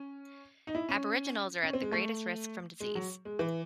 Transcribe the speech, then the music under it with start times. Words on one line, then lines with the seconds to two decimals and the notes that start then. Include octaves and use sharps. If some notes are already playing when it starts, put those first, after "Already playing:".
Aboriginals are at the greatest risk from disease.
Already playing: C#4
0.67 D#4
0.75 E4
0.89 C#4
1.63 C#4
1.73 C4
1.82 G#3
1.92 A3
2.80 G#3
2.95 F#3
3.25 G#3
3.39 E3